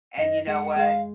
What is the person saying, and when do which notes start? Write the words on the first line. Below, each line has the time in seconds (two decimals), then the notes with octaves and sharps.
and you know what?
0.17 F#2 D#5
0.47 G#3 F#5
0.76 G#3 F5